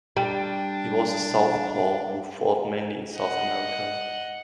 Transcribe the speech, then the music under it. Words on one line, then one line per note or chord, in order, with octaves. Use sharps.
He was a southpaw who fought mainly in South America.
G3 D4 G5
D#5 F#5